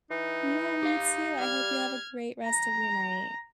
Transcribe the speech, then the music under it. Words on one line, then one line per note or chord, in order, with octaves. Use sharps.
Yeah, me too. I hope you have a great rest of your night.
E3 D#4
G4 F5
G3 F6 G#6
A#5